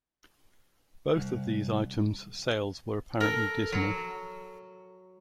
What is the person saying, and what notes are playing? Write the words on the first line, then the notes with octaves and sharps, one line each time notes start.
Both of these items' sales were apparently dismal.
C2
A4 A#4
F#3